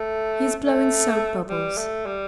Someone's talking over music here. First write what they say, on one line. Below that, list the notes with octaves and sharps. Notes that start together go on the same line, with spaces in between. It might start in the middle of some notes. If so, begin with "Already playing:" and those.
He is blowing soap-bubbles.
Already playing: A3
A3
G3
A3
G3